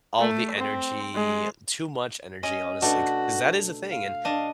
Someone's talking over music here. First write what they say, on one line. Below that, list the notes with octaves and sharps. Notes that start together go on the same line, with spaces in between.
all the energy, too much energy, honestly, 'cause that is a thing, and
A3
C4
G#3
C#4 D#5
B2 A3 D4 F#4
F5
D4 D#5